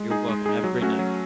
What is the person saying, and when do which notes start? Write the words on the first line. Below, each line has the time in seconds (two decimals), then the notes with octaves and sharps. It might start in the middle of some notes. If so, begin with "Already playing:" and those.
you're welcome, have a great night.
Already playing: G#3
0.10 D#4 G#4
0.29 G#3
0.46 D#4 G#4
0.64 F#3
0.81 A3 C#4 F#4
0.99 F#3